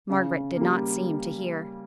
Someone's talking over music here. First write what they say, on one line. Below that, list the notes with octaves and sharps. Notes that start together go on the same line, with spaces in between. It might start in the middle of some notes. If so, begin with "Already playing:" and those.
Margaret did not seem to hear.
C#3
G3 A#3